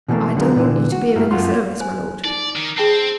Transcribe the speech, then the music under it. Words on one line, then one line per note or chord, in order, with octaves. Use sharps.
"I don't want you to be of any service, my Lord."
B2 E3 F#3 G3 A3 A#3
D3 F#3 G#3 F4 A#4
A#2 D3 E3
F#4
G2 A#3 E4
F#2 F4 F#4 C6
C5 G#5
D#4 D5
D#3
C4 G#4 G5 A5